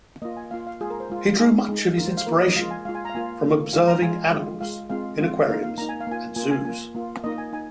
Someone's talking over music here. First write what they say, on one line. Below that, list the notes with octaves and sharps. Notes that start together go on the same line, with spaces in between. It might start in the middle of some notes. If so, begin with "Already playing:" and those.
He drew much of his inspiration from observing animals in aquariums and zoos.
A#3 F4 D#5
G#5
A#3 F4 F5
F5
G#3 F4 G#4
A#4
C5
G#3 F4
G#3 D#4 G#4
G#3 D#4
A#3 F4 A#4
C5
F5
A#3 F4 A#4
D#5
G#3 F4 F5
G#5
G#3 F4 F5
G#5
A#5
F5
A#3 F4 G#5
A#3 F4
G#3 F4 F5
A#5
G#3 F4 G#5
G#3 F4
G#3 F4 F5
G#3 C4 F4 F5
G#3 C4 F4
A#3 D#4 F5
F5
A#3 D#4 A#5
G#5
F5
A#3 F4 G#5
A#3 F4 G#5
G#5
A#3 F4 G#5
A#3 F4
A#3 D#4 D#5
G#5
D#4 G#5